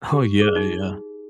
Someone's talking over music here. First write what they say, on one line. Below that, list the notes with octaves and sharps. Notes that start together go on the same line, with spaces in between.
Oh yeah, yeah.
G4
G#4
D#4